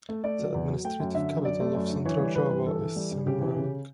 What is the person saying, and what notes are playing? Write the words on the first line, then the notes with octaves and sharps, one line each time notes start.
The administrative capital of Central Java is Semarang.
A3
A3 D5
F#3
E2
F#3
A3 G5
F#2
D3 E5
F#2
F#2 D5
A3
F#2
D3
E3 C#5
G3
E3 B4
G2
E3 A4
E3
G3
G2
C#3 G4
E3
C#3